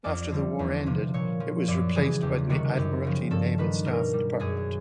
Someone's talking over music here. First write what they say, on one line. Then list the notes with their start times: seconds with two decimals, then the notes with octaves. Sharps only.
After the war ended, it was replaced by the Admiralty Naval Staff department.
0.04 F2 D5
0.32 D3 G3
0.59 E2
0.86 C3 F3
1.14 A#2 C#5
1.40 F3
1.68 F#2 D5
1.95 C#3 E3 G3 G#4
2.22 E2 G4
2.49 C3 D#3 G3 F#4
2.77 F#2 G4
3.04 C#3 F3
3.31 G2 A4
3.58 D#3 G3 B4
3.86 B2 A#4
4.13 G3
4.40 F#2 G#4